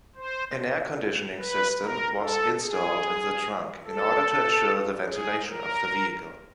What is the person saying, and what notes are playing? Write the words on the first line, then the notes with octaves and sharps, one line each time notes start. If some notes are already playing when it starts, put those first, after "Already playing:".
An air conditioning system was installed in the trunk, in order to ensure the ventilation of the vehicle.
C5
B4
A#4
A4
G#4
A4
G#4
A#4